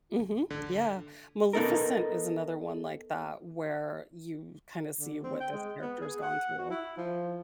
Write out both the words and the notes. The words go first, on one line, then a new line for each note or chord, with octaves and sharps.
Mhm. Yeah. Maleficent is another one like that where you kinda see what this character has gone through.
D4
A1 D#2 D3
F#1
B3 D#4 A4 A#4
D3
C4
G5
G#3
B3
G#4
F#5
F#4
E4
F3